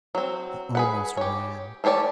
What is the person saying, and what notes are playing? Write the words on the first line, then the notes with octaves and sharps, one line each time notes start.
He almost ran.
F#3 C4
G#4 B4 F#5
G4 C#5
E3 A3 G4 C#5 D5